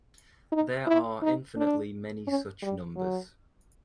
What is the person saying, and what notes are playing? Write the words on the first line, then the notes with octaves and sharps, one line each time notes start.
There are infinitely many such numbers.
D#4
E4
D#4
D4
C#4
G3
F#3